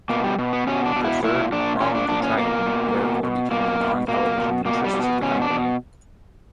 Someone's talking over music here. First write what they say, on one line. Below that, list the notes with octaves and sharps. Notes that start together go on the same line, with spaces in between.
The third 'prong of the trident' therefore became the non-television interests of the company.
B2 A#3
G3
B2
B3
B2 C#4
D4
B2
E4
A#2 E4
A#2 D4
A#2 C#4
D4
A#2 D4
C#4
B2 A#3
B2
B2
B2
B2 A#3
B2
B2 A#3
B2
B2 A#3
G3
B2
B3
B2 C#4
D4
B2